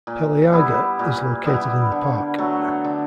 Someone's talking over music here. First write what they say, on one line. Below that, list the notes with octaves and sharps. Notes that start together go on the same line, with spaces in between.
Peleaga, is located in the park.
A#2
G3 B3 E4
A#2
G3 B3 E4
D3
F#3 A3
D3